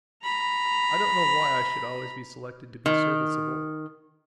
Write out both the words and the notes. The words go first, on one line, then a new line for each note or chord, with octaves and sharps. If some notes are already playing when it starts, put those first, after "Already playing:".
I don't know why I should always be selected to be serviceable.
A#5 B5
D#3